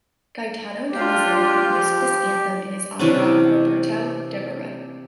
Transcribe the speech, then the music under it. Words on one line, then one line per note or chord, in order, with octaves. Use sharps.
Gaetano Donizetti used this anthem in his opera "Roberto Devereux".
D4 F4 G4
F3
C3 E3 C#4 D4